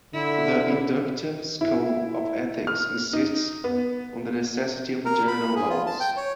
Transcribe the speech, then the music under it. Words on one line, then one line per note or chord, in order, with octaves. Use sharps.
The inductive school of ethics insists on the necessity of general laws.
D3 E4
E4
F6
D#4
B3
A#4
B5
G#4
F4
A5
G5
C#5